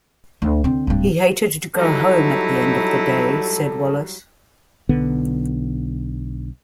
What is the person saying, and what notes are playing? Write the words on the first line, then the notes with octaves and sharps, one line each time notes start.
He hated to go home at the end of the day, said Wallis.
D2
D3 C4
D1 G2
F#3 G3 D#4 E4 A4
B1 D3 B3